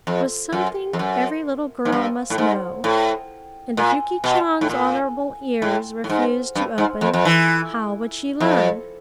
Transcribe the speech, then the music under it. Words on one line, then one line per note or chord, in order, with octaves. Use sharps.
It was something every little girl must know, and if Yuki Chan's honorable ears refused to open, how would she learn?
F2
F#2
F2
F#2
G#2
G2
A2
G#2
A2
A#2
B2
A2
A#2
A2
A2
G#2
G2
G#2
F2
F2
E3
F2